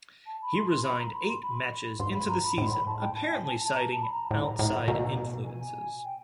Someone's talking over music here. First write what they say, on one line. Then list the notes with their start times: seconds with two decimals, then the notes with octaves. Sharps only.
He resigned eight matches into the season, apparently citing "outside influences".
0.26 A5
0.42 B5
0.55 C6
0.70 C6
0.84 B5
0.99 A#5
1.14 B5
1.28 C6
1.42 B5
1.99 G#2 C6
2.14 B5
2.28 A#5
2.43 B5
2.58 A2 B5
2.67 C6
2.73 B5
2.86 A5
3.00 G5
3.15 A5
3.29 G#5
3.44 A5
3.59 A5
3.74 A#5
3.92 A5
4.03 B5
4.11 A#5
4.30 A2 A#5
4.59 A2
4.88 B2
5.46 G#5
6.04 G5